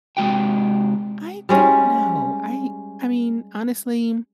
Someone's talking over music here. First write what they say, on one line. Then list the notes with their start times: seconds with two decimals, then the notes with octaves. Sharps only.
I don't know. I I mean, honestly,
0.17 C3 G#3 F#4 G5
1.49 G3 G#3 C#4